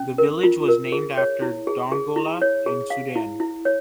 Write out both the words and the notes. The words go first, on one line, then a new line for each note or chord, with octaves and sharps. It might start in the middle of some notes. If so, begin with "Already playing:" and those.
The village was named after Dongola, in Sudan.
Already playing: C#4
A#4
F4
A#4
G#4
C#5
E4
G#4
G#4
E4
C#5
G#4
F5
E4
E4
C#5